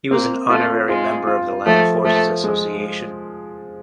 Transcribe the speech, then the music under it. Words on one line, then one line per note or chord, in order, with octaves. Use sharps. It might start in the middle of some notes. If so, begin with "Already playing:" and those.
He was an honorary member of the Land Forces Association.
A#3 C4
A3 F4
G#3 F4
F4
F3 A3
F3 A3
G#3